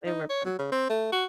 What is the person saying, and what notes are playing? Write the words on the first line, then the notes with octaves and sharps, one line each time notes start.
They were fun.
D#4
C#5
F#3
C#3
C4
A3
F#4